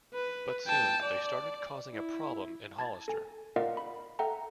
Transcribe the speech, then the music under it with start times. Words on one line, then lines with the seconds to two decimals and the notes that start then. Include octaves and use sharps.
But soon, they started causing a problem in Hollister.
0.13 B4
0.67 G5 A5
1.02 D5
1.93 E4
2.79 A5 G#6 A6
3.08 A4 G#5
3.56 F4 A#4 D5 D#5 F5 F#5
3.77 B5
4.19 A4 E5 F#5 G5 A#5